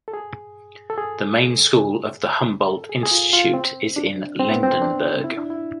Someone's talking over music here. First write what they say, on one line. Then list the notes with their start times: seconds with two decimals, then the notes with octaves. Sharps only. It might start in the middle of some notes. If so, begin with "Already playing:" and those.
The main school of the Humboldt Institute is in Lindenberg.
0.08 A4
0.14 G#4
0.90 A4
0.98 G#4
2.68 A4
2.89 G#4
3.03 G#4
3.11 F4
3.33 F4
3.54 C4
3.96 D4
4.39 C4
4.51 B3
4.63 C4
4.82 D4
5.24 E4
5.37 D4
5.50 E4